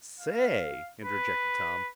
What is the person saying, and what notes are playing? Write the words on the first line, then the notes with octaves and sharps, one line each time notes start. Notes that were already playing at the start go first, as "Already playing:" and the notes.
"Say," interjected Tom.
F5
B4